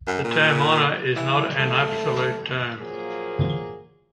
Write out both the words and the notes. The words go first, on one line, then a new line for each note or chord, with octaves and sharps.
The term honor is not an absolute term.
F#2
A#2
E3
A3
A#2 F3 F#3 A#3 G#4